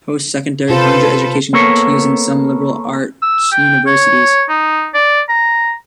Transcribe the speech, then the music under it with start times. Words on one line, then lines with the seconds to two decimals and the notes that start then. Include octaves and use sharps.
Post-secondary hanja education continues in some liberal-arts universities.
0.70 C3 F4 A4 B4 C5
1.53 A#3 B3 A4 A#4 C#5
3.22 E6
3.52 G5
3.87 C#5
4.49 D#4
4.94 D5
5.29 A#5